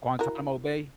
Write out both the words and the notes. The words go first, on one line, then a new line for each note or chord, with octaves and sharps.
Guantanamo Bay?
E4 F#4 A#4